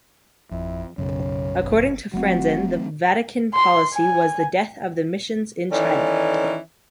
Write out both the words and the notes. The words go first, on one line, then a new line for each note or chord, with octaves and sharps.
According to Franzen, The Vatican policy was the death of the missions in China.
G#1 F2 E4
B1 F#2 C#3 C#4
G1
F1 F#3 A3 C4 F#4
C6
G#5
D#3 E3 C#4 D#4 A4 D5